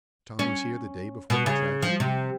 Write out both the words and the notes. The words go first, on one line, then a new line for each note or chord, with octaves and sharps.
"Tom was here the day before the tragedy?"
C#4
B2
C#3
F3
C3